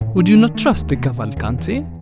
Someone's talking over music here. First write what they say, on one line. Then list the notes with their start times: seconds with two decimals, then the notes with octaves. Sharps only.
"Would you not trust the Cavalcanti?"
0.01 A2
0.17 D4
0.35 D#3
0.55 A3
0.72 D#2
0.94 B2
1.17 C#3
1.36 D#2
1.58 E2